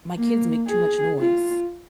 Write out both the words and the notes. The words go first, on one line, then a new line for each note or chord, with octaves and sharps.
my kids make too much noise,
A#3
G#4
F4